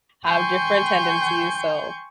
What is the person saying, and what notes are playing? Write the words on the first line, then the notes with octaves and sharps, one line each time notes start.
have different tendencies, so,
G5 G#5 C6 C#6 G6